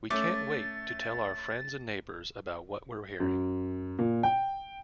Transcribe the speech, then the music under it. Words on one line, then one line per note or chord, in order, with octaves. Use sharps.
We can't wait to tell our friends and neighbors about what we're hearing.
A3 C#4 D6 A6
F#2
A#2
G5